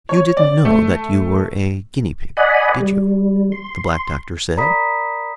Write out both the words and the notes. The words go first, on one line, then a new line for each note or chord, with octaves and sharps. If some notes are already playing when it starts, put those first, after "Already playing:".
"You didn't know that you were a guinea pig, did you?" the Black Doctor said.
C#5
D5
A3
D5 D#5 F#5 G#5 B5
G3
C6
A#4 D5 A#5 B5 D#6 B6